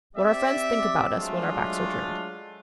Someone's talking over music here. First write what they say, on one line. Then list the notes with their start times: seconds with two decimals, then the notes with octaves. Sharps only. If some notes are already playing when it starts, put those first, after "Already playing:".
What our friends think about us when our backs are turned.
0.16 C4 G4 D5 E5
1.15 F#3 G#3 A3 D4 F4